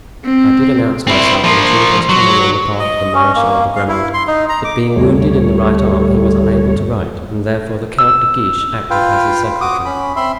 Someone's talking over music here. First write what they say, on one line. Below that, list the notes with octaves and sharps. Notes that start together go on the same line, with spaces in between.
"I did announce myself, in truth, as coming on the part of the Marechal de Grammont; but being wounded in the right arm he was unable to write and therefore the Count de Guiche acted as his secretary."
C4
C4 E4
F3 A#3
F#3
D#5
C#4
A#3
F5
E4
C6
D#4
A#5
D6
D2 G2 G3 A3 C#5
E6
F4 B4 F5 G5
F#4 D6 D#6
C#4 B5
C4 E5 B5 C6